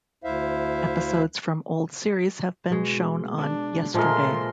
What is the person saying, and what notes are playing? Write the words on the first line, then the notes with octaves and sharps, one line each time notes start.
Episodes from old series have been shown on Yesterday.
D2 E4 C5 E5 F5
B2 G#3
D4
A#2 F3 G#3 A3 F4 A#4 C6